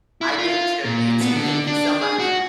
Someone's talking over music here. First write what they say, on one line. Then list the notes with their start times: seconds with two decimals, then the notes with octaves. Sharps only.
I did too. You too, thank you so much.
0.21 E4
0.38 F4
0.85 A#2
1.21 B3
1.35 D3
1.67 D4
2.01 G#4
2.19 F#4